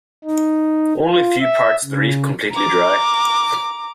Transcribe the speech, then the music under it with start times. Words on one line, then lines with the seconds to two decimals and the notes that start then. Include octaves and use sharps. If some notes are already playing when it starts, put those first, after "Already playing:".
Only few parts of the reef completely dry.
0.24 D#4
1.05 F4
1.42 E5
1.84 C#3
2.52 A#5 D6